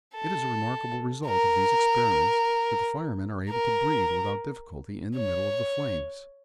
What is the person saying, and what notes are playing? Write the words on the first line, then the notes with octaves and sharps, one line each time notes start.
It is a remarkable result of these experiments, that the firemen are able to breathe without difficulty in the middle of the flames.
A4
A#4
A#4
C#5